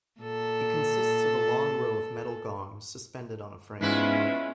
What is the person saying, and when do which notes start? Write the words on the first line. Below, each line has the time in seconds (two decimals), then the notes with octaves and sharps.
It consists of a long row of metal gongs suspended on a frame.
0.21 A#2 A4
3.81 G#2 G#3 B3 C#4 E4 F4 B4